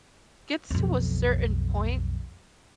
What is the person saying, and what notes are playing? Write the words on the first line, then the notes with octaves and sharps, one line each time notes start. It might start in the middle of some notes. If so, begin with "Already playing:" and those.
gets to a certain point
B1 F2